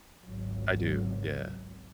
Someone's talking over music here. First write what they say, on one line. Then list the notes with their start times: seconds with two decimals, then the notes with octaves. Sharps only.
I do, yeah.
0.23 G#1 C#2 G#2 F#3